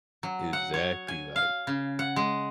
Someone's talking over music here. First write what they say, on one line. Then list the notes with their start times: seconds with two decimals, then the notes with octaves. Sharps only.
Exactly, like
0.23 F#3
0.53 F#5
0.74 C#5
1.08 G#5
1.36 F5
1.67 C#3
1.99 F#5
2.16 G#3